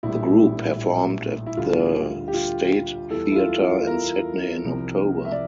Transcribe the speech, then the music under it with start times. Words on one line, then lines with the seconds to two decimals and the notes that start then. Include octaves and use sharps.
The group performed at the State Theatre in Sydney in October.
0.03 A#1 A2 E3 G3 E4
1.46 E4
1.57 D2 D3 G3 F4
2.28 G4
2.34 F4
3.11 E2 E3 G3 A4
3.31 E4
3.36 F4
3.61 F4
3.87 A#4
4.64 C2 C3 F3
5.25 E5
5.32 D5